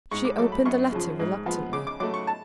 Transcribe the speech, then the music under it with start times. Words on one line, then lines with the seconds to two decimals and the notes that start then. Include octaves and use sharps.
She opened the letter reluctantly.
0.11 G#2 C#6
0.25 D6
0.38 F#3 A3 D6
0.52 B5
0.65 F#2 C#6
0.92 C#3 F3
1.19 G#2
1.46 F3 B3
1.73 C#3 D6
1.87 D6
2.00 F#3 A3 D6
2.14 C#6
2.27 A5